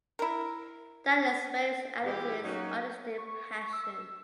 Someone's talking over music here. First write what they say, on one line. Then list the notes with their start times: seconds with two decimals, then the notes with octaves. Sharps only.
That experience added to his artistic passion.
0.19 E4 A#4
2.03 A#2 E3 G3 G#3 E4 G4
2.44 F#3 A#3 C#4 D#4 F#4
3.18 C#6
3.73 E6